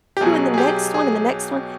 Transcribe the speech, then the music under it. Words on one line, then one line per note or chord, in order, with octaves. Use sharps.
in the next one and the next one?"
G4
B1 B2 F#3 G#4
G#4
G4
G#4